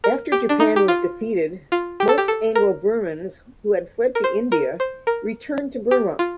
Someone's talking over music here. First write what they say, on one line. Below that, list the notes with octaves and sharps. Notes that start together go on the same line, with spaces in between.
After Japan was defeated, most Anglo-Burmans who had fled to India returned to Burma.
A#4
G4
D4
D#4
G4
F4
F4
G4
A4
G4
A4
A#4
A#4
C5
A#4
C5
A#4
G4
F4